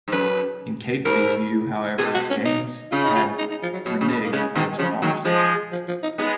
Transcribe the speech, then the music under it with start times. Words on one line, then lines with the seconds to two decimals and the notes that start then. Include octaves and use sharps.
In Catesby's view however, James had reneged on his promises.
0.08 G#2
0.12 F#2 B4
1.05 G#2 A#4
1.98 B2 G#4
2.15 F#4
2.30 C#4
2.46 D#4
2.92 C#3 F4
3.04 D#4
3.16 F4
3.39 D#4
3.51 D#4
3.63 F3
3.74 F#3
3.85 B2 F#3
4.01 C#3
4.08 B2
4.24 A#3
4.32 C#3 G#3
4.55 B2 D#3
4.71 G#3
4.79 C#3 F3 F#3
4.90 G#3
5.02 D#3 F#3 A#3
5.14 G#3
5.25 F3 G#3
5.72 F3
5.88 F3
6.03 D#4
6.18 G#3 B3 D#4